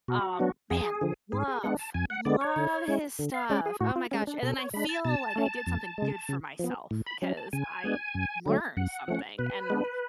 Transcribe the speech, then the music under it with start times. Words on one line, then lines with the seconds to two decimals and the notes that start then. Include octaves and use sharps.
um, man, love, love his stuff, oh my gosh, and then I feel like I did something good for myself, 'cause I learned something, and
0.08 B2 F#4
0.39 F#3 B3 D4
0.70 F2 G#4
1.01 D3 F3
1.32 G#2 G#4
1.48 G#4
1.63 G#3 B3 D4 F#5
1.79 A5
1.94 F2 G#5
2.10 F#5
2.25 D3 G#3 B3 D5
2.41 C#5
2.56 D3
2.88 G#3 C#4
3.19 D3
3.34 F5
3.50 G#3 C#4 D5
3.66 G#4
3.81 A2 F#4
3.96 F4
4.11 G#3 C#4
4.27 D4
4.43 B2 A4
4.58 C#5
4.73 G#3 D4 B5
4.89 A5
5.05 B2 A5
5.36 A3 C#4
5.67 F2
5.98 C#3 G#3
6.29 C#3
6.59 F3 B3
6.91 A2
7.07 B5
7.22 F#3 C#4
7.37 A5
7.53 C#3 G#5
7.84 G#3 B3 D4
8.15 F#2
8.46 D3 F#3 A3
8.77 F#2 F#5
9.08 F3 A3 C#4
9.38 B2 B4
9.70 G#3 B3 D4